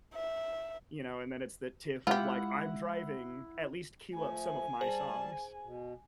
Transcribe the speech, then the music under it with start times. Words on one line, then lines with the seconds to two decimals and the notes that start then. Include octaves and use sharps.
you know, and then it's the tiff of, like, "I'm driving, at least queue up some of my songs"
0.15 E5
2.07 G#3 E4 F4 G4 F#5
4.14 F3 A3 G#5
4.81 G3 G#4 C5 A5 F#7
5.63 B2